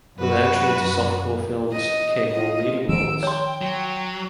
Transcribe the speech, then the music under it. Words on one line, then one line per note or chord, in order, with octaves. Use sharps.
With her entry into softcore films came more leading roles.
F#2 F#4 B4
D#5
F4 D#5
D#3 F3 C#4 E6 D7
C#5 G5 C6
F#3